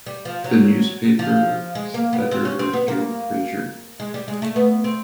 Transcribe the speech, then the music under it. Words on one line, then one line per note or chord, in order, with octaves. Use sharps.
The newspaper's editor is Gill Fraser.
G3
F3
F#3
F3
G#3
A#3
B3
C4
C#4
C4
B3
A#3
G#3
G3
G#3
A3
B3
C4